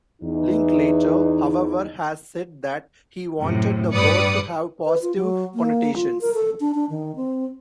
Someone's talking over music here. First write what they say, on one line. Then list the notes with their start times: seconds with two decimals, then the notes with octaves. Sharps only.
Linklater, however, has said that he wanted the word to have positive connotations.
0.22 E2 E3 D#4
3.40 F#2 A2 C3
3.93 G2 B4 D5 D#6 C#7
4.85 B4
5.02 F4
5.16 F#3
5.55 A#3
5.95 F4
6.21 A#4
6.34 A4
6.60 D4
6.75 D4
6.90 D#3
7.16 C4